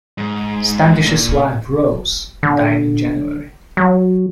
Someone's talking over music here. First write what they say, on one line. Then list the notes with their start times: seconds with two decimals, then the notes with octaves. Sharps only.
Standish's wife Rose died in January.
0.18 G#2
1.07 A#2
2.43 D3
3.77 F#3